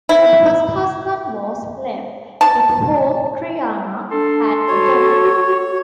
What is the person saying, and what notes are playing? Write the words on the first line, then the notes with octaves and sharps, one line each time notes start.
Her first husband was Lev, with whom Triana had a daughter.
E4
A5
D4 A4 C6
F#4 C#5